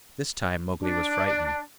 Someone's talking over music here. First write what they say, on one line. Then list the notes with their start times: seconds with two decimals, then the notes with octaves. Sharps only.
This time Mowgli was frightened.
0.81 D4